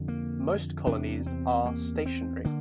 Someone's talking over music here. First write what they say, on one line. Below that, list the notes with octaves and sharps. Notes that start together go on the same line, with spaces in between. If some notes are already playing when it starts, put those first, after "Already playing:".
Most colonies are stationary.
Already playing: F2 D3
A#3
E2 C3 D4
C4
A#3
C4
D3 A#3